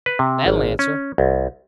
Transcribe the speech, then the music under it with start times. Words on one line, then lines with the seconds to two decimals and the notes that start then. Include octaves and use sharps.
That'll answer.
0.06 B4
0.19 C3
0.46 G#1
0.79 C#4
1.18 C2